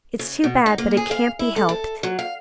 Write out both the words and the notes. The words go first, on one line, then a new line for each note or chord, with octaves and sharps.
It's too bad, but it can't be helped.
C#3
B2
D#4
A#3
G#4
F5
E4
A4
A4
F#3
F5